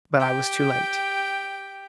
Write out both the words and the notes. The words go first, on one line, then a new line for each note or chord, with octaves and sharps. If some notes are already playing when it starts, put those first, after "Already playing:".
But I was too late.
G4 G5